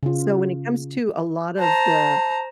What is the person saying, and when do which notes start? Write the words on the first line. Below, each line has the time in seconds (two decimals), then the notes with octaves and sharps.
So when it comes to a lot of the,
0.03 C#3 F4
1.59 C5 A5 A#5